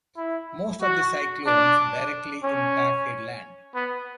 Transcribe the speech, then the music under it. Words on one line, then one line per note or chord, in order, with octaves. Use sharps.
Most of the cyclones directly impacted land.
E4
F#4
D4
C#4
B3